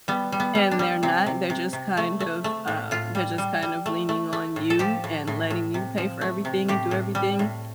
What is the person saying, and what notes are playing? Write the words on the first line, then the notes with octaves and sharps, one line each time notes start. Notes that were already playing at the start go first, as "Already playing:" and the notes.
and they're not, they're just, kind of, um, there just kind of leaning on you and letting you pay for everything and do everything,
G3 B3
G3
B3
G3
D4
G3
C3 C4
C3
C3
C3
A3
A3
A3
A2
A2 F4
G3
G3
G3
A3
A3
A3
A2
A4
F3 G4
A2
A2
A2
C3
F3
A3
C3
A2 G4
A2
G3
A2